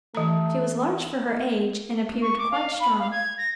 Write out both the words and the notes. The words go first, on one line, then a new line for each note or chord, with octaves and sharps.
She was large for her age and appeared quite strong.
E3 A3 A#5
C#6
D6
F5
B5
F5
G#6
A#6